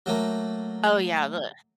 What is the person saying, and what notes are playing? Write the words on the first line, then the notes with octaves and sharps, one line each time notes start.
Oh, yeah, the
F#3 A3 A#3